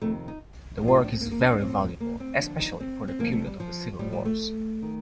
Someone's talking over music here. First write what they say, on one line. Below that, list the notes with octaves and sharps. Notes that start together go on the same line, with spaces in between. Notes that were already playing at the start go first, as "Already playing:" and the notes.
The work is very valuable, especially for the period of the civil wars.
F2 C3 D#3 A3
D#4
A2 F3
F4
D#4
D4
C4
A#3
A#3
D4
D4
A2 F3 C4
A#3
C4
D#2 D3 F3 D4
D#4
C4
C4
D2 C3 F3 A#3
A3
G3
F3
A2 F3 G3
G3
A3
D#3